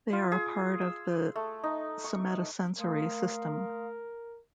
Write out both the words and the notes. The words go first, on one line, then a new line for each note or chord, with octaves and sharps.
They are a part of the somatosensory system.
F4
G#4
E6
A3
D#4
C#6
A3 A#4 F5 C6 D#6